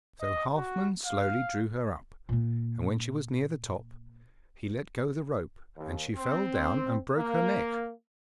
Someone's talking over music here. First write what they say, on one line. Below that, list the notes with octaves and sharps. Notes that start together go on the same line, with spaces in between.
So Halfman slowly drew her up, and when she was near the top he let go the rope, and she fell down and broke her neck.
D#5
F#4
F5
A#2 A#3
D#2
C4
A#3